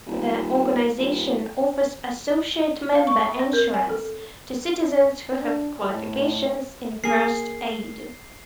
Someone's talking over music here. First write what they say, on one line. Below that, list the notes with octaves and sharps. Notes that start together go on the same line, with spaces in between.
The organisation offers associate member insurance to citizens who have qualifications in First Aid.
D#1
D#1
F5
C#6
E5
C4
A#4
G#5
A4
D4
A2
A#3 G#4 C7